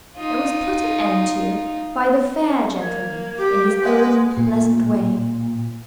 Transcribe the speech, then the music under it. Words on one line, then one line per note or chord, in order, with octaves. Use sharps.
It was put an end to by the fair gentleman, in his own pleasant way.
D#4 F4
A#3 G#6
G4 D6
G#3 B4 F#5
A#2